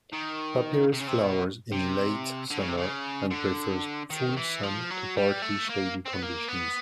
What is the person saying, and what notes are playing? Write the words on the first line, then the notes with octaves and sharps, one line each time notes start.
Papyrus flowers in late summer, and prefers full sun to partly shady conditions.
D#3
C3
C#3
C3
B2
C3
D3
C#3
C3
C#3
D3
D#3
E3
F3
F#3
G3
A3
A#3
C4
B3
A#3
B3